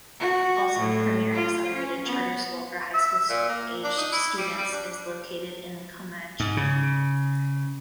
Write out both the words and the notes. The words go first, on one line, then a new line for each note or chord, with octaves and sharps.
Also, Premier Accelerated Charter School for High School aged students is located in Comanche.
F#4
A2
F4
C#4
B3
E5
A#2
A#3
D4
D#4
E4
G3
G3
D4
G#2
C#3